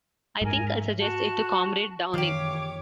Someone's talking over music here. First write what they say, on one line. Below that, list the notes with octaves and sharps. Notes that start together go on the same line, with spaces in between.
I think I'll suggest it to Comrade Downing.
G#2 A#4 G#5
E5
F#4 A5
F#2 D#3 E3 G4 C#5 F5 D6